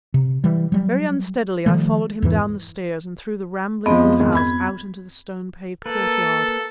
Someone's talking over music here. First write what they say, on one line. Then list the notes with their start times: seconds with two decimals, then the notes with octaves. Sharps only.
Very unsteadily I followed him down the stairs and through the rambling old house out into the stone-paved courtyard.
0.14 C3
0.44 E3 G3
0.72 F#3 G3
1.66 D#3 F3 G3 A3
2.22 E2 G#2 E3
3.86 F2 F3 G#3 B3 C4 D#5
4.20 D#2 G#2 G#3
4.35 B5 G#6
5.86 A#3 A4 B4